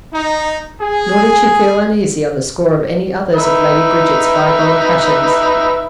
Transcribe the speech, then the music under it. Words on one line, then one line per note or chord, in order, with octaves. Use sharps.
Nor did she feel uneasy on the score of any others of Lady Bridget's bygone passions.
D#4
G#4
D#4 B4 E5